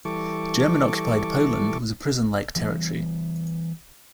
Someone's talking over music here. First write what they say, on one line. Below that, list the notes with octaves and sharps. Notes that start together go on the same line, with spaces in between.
German-occupied Poland was a prison-like territory.
E3 G3 A4 C#6 D6
E3 G3 B3